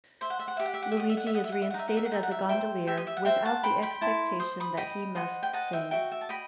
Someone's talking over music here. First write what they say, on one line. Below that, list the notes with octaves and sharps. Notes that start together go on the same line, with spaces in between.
Luigi is reinstated as a gondolier, without the expectation that he must sing.
C5 E5
F#5
E5
F#5
G4 E5
F#5
E5
F#5
E5
D#5 F#5
E5
F#5
E5
D#5 F#5
E5
F#5
E5
F#5
D#4 E5
F#5
E5
F#5
D#4 E5
F#5
E5
C5 E5 G5
G4 E5 G5
D#5
E5
F#5
C5 E5 G5
F#5 A5
C5 G5 B5
G5 B5
E4 A5 C6
C5 D#6
B5 D#6
D#5 G5 B5
C5 D#5 F#5
G5
D#5 F#5 A5
E5 G5
F#4 E5 G5
E5
A5
D#5 G5 B5